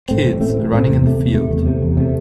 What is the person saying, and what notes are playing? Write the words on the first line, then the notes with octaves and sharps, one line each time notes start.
Kids running in the field.
A2 A3 C4
A1
A2 A3 C4
A1
A2 A3 C4
E2
C3 A3
E2
C3 A3
E2
C3 A3
E2
C3 A3